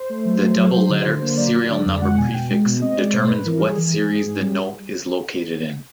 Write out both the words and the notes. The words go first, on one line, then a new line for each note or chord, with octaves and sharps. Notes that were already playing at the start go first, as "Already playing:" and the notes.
The double letter serial number prefix determines what series the note is located in.
Already playing: C5
A3
F#3
A3
F#3
F#3
D3
D3
A#3
F#3 D5
F#3
D3
F2
G#3 F#5
B2 G#5
B2 G5
G#3
B2
C4 D#5
G#3 D5
B2 C5
G#2 B4
E3 A#4
G3 G#4
E3
G#2 G#4
G#2
G#2
G3